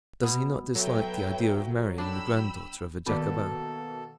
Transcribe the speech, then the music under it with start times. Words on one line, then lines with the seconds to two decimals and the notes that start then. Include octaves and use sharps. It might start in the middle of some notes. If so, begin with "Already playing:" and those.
"Does he not dislike the idea of marrying the granddaughter of a Jacobin?"
0.23 B2 B3
0.75 F#3 A4 B4 E5 G5
1.98 D4 G5 B5 E6
3.07 B2 D#3 A#3 B3 F#4 A4 D5